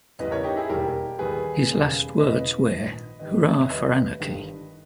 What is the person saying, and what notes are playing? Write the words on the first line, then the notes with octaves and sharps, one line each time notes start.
His last words were, Hurrah for Anarchy!
E2 C#3 E3 G3 B4 D#5
A#4 C#5
D#4 G4
E4 G#4
E1 D#2 D#3 G3 G4 A#4
D#2 D#3 G3 G#4 B4
E1 D#2 C#3 G3
E1 E2 C#3 E3 B4 D#5
A#1 G#2 D#3
G#1 G#2 D#3 G3 B4 D#5
C#5 E5
D#2 C#3 G3 B4 D#5
G1 G2 D#3 G3